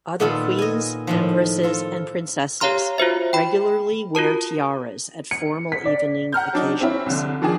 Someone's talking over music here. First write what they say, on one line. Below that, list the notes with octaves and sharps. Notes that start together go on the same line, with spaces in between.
Other queens, empresses, and princesses regularly wear tiaras at formal evening occasions.
A#2 D#3 B3 F4 A4
D#5 G#5
A2 D#3 F3
F4 A4
G4 C#5 F5 A#5 C6 F6
F4 F#4 C5 E5
G5 B5
F4 F#4 A#4 A5
C#7
B6
D5
F#5 A#5 F6 G6
F#3 D4 D#4
C4 C#4 E4
C2 D3
D#3 F3 D4 G#4